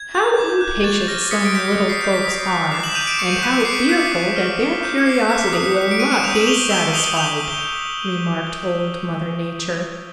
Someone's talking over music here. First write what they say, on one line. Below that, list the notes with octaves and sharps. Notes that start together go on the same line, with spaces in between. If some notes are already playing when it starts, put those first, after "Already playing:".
"How impatient some little folks are and how fearful that their curiosity will not be satisfied," remarked Old Mother Nature.
Already playing: G#6
G6
D6
F#6
C#6 A6
F6 A#6
D#6 B6 C#7
D7
G6 B6 C#7
D#6
C7
G6 C7
B6
D#6
F#6
D6 C7
E7 F#7
G6 D#7 F7
D7 E7
C#6 C#7 D#7
F#6 B6 C#7
C#7
D6 C7 D7
F#6 B6 C#7
D6
F6
D6
G6
C#7
D6 C7
F#6 B6 C#7
D#6 B6 C#7
F#6
C#7
D7
C#6 C#7 D#7
D7 E7
E6 G6 D#7 F7
E7 F#7
C#6 F7 G7
E6 G6 F7 G7
D#6 F7 G7
G6 F7 G7